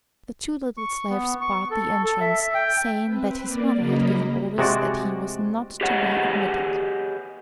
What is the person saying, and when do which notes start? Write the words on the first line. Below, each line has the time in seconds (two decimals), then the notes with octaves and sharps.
The two little slaves barred the entrance, saying that his mother had given orders that he was not to be admitted.
0.77 C#6
1.10 B3
1.41 C#6
1.71 A4
2.05 A4
2.21 E5
2.41 E5
2.54 G5
3.05 C4 B4
3.44 A#3 D5
3.78 C#3 F#3 A#3 D#5 A#5 B5
4.58 C3 G#3 F#4 D5
5.81 G4 G#4 B4 C#5 D#5 F#5